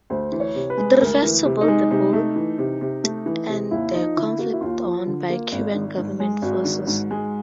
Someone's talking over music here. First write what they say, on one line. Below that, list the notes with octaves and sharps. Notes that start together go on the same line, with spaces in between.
It refers to both the boat and the conflict won by Cuban government forces.
D2 C5
E3
C#5
C3
B4
G#3
D2 A#4
E3
C3
D#4
G#3
C3 D#4
A3
E3
C3
C3
A3
E3
C3
D#2 E4
F3 D#4
D3 E4
A#3 F#4
E4
D#2 F4
F3
D3
A#3
G#1
D#3
G#2
G#3
G#1 F#4
D#3
G#2
G#3